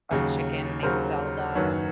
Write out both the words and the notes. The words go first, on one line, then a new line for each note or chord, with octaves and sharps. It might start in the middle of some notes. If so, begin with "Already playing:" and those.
a chicken named Zelda,
D#2 C#3 F#3
D#2 C#3 F#3 A#4 C5
F#1 F#2 D#3 F#3 B4 C#5